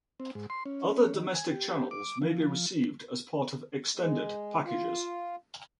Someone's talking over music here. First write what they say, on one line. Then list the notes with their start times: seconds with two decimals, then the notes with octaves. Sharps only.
Other 'domestic' channels may be received as part of extended packages.
0.20 C4
0.35 G#2
0.50 C6
0.66 C#4
1.14 D#3
1.34 G#5
1.51 G4
1.91 D6
2.22 F3
2.42 F3
3.96 G#3
4.64 F4